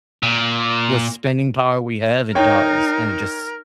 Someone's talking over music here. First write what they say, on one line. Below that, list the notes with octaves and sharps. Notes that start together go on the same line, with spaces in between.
the spending power we have, it does, and it just
A#2
D#4 A#4 C#5 G5